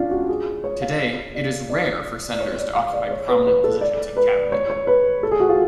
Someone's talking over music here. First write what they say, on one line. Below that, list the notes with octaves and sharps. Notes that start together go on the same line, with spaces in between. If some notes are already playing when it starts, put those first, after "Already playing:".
Today, it is rare for senators to occupy prominent positions in cabinet.
Already playing: C#4 D4 F4
F#4
G#4
C#5
F5
D5
D5
D5
C#5
C#5
D5
F5
D5
C#5
B4
B4
A4
D5
B4
C#5
C#5
B4
A4
G#4
F#4
F4